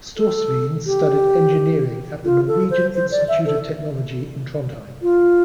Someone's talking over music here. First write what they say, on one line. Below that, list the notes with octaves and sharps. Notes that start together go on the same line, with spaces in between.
Storsveen studied engineering at the Norwegian Institute of Technology in Trondheim.
A4
G4
F4
A4
C5
C5
D5
E5
A4
F4